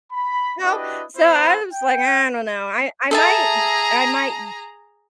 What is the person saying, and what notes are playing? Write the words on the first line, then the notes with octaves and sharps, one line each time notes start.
you know, so, I was like, "I don't know, I I might I might m
B5
D4 E4 F#4 G4 B4 D#5
B3 E4 C5
G5
G#4 A4 E5 A5 A#5